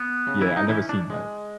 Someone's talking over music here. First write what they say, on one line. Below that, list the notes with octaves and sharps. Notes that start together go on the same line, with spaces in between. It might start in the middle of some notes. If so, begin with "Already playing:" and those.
yeah, I've never seen that.
Already playing: B3
C#3
E3 E4
D#4
E3 C#4 E4
D4
G#3